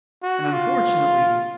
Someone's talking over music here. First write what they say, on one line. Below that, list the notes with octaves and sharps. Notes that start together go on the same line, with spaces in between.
and unfortunately,
F#4
F4